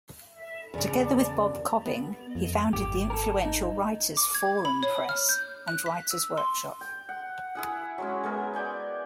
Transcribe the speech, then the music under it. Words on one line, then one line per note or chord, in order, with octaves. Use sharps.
Together with Bob Cobbing, he founded the influential Writers Forum press and writers' workshop.
E2 C#3 D5
B3
F2
G#1 G4
A4 A#4
D#4
D6
G#6
B5
C#5
F6
G6
F#6
B6
E6
C6
G5
F#5
E4 G#4 F#5
F#3 G#3 C#4
G#3 B3 A#4
D5 G5 G#5 C#6